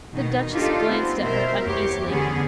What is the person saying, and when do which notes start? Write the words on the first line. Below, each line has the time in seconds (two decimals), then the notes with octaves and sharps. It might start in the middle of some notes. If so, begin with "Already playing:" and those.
The Duchess glanced at her uneasily.
0.14 B2 D#3 D#4
0.51 D4 D#4 F4 G4 A4
0.88 B3 C4 C5
1.20 B2 A#4 C5 E5
1.64 E2 G4 C#5
2.08 D3 B3 C#4 G#4